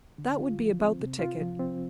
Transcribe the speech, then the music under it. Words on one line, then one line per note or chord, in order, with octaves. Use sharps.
That would be about the ticket.
D3
F4
F3
C4
C3
F4
F3
C4